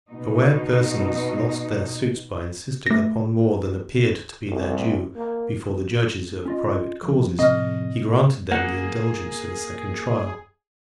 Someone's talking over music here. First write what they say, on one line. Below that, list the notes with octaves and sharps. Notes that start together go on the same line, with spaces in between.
For where persons lost their suits by insisting upon more than appeared to be their due, before the judges of private causes, he granted them the indulgence of a second trial.
B2 D#4
A3 A#6
C2
A#3
C#4 F4 D#5
F2
A2 C3 C4 D#5 F6
A#3 G#4 F#5